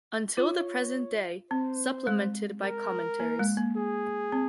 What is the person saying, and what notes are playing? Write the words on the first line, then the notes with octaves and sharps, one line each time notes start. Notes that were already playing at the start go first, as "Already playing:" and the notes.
Until the Present Day, Supplemented by Commentaries.
F4 C#5
C4 C5
G#3
A#4
A#3
G#3
A#3
G#4
C4